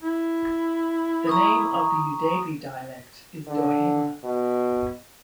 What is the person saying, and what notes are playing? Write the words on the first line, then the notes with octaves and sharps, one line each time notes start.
The name of the Eudeve dialect is "Dohema".
E4
A#5 C#6 D#6
D3
B2